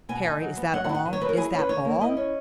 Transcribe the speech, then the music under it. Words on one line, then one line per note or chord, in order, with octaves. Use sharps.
"Parry, is that all?--is that all?"
B2 G#5
D#4
F#3
B3
F#3 F#5
F#5
E4
F#5
D#3
C#5
F#3 B4
A#4
E4 G#4
C#4
B4
D#3 C#5
A#3
E4 D#5
C#4